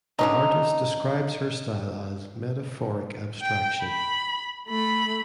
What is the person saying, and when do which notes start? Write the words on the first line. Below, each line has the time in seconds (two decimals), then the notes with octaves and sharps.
The artist describes her style as "metaphoric abstraction".
0.19 D3 C#4 D#4
3.42 G5
3.83 B5
4.68 A3 B5